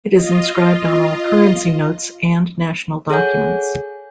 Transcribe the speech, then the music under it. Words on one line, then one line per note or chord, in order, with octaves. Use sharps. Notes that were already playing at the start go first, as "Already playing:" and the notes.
It is inscribed on all currency notes and national documents.
F4 D#5
G#4 A4 C#5 F#5 G#5 G6